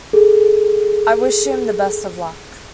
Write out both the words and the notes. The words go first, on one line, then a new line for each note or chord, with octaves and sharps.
I wish him the best of luck.
G#4 A4